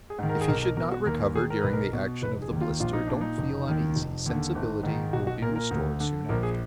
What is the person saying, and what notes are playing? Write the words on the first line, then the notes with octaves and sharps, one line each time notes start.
"If he should not recover during the action of the blister, don't feel uneasy; sensibility will be restored soon after."
G#4
G#2 D#3
A#4
G#4
B1 A#4
A#4
B2 A#4
F#4
D#2 A#4
A#4
D#3 G#4
A#4
B1 B4
A#4
B2
F1 B4
G#4
D#2 D#3
F4
A#1 F4
D#4
A#2 D4
D#4
F1
D#2 D#3
F1
D#2 D3
G#1
G#2 D#3
B1 F#4
F#4
A#2 A#4
A#4
D2
D3
A#1 A#4
G#4